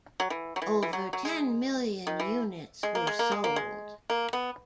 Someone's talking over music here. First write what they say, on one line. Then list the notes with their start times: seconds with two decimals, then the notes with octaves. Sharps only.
Over ten million units were sold.
0.20 F#3
0.30 E3
0.56 F#3
0.62 E3
0.83 E3
0.93 F#3
1.13 F#3
1.25 G#3
2.07 D#3
2.20 E3
2.83 G#3
2.95 A#3
3.07 G#3
3.19 A#3
3.32 G#3
3.44 A#3
3.56 G#3
4.10 A#3
4.33 B3